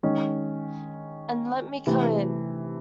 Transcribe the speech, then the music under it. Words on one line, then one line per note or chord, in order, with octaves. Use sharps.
And let me come in.
D#3 G#3 C#4
C3 E3 A3